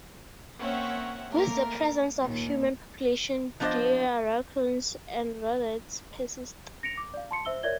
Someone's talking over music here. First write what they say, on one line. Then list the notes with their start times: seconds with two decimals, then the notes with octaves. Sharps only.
With the presence of human population, deer, raccoons and rodents persist.
0.60 A#3 C4 C#4 C#5 E5 F#5
1.33 A3 A#3 A#4
2.21 D#2 A#2
3.60 F3 B3 D4 A4 C5 D#5
6.83 A#6 C#7 D7 F7
6.97 D6
7.14 D5 F5
7.31 A5 C6 C#7
7.45 C5 E5 E6 G7
7.63 A#4 C#5 D5 E5 G#6 G7